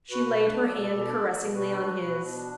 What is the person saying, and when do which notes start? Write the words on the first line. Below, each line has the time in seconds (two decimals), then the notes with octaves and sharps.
She laid her hand caressingly on his.
0.11 B2 F#4 B4
0.27 B2
0.43 D4
0.59 F#3 A4 D5
0.74 B2
0.90 B2
1.07 D4
1.23 F#3
1.39 B2
1.55 B2 F#4 B4
1.70 D4
1.86 F#3
2.02 B2
2.18 B2
2.34 D4